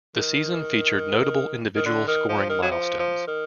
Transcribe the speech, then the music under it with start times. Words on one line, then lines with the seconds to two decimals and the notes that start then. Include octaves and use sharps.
The season featured notable individual scoring milestones.
0.15 D#3
1.76 D#3
1.85 D3
2.07 D#3
2.29 F3
2.49 D#3
2.62 F#3
2.71 F3
2.99 F3
3.27 D#3